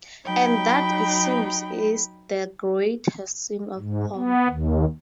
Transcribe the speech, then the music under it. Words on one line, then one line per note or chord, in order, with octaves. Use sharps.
And that, it seems, is the greatest sin of all.
F#3 D#4 G5 B5
G#2
B3
D#2